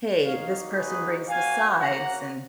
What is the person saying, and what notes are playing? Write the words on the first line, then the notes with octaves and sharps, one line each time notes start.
hey, this person brings the sides, and
A#3 D#4 F#4 C#5 F5
G#4 B4
A#3 C#4 F#4 F5 G#5
F#5 A#5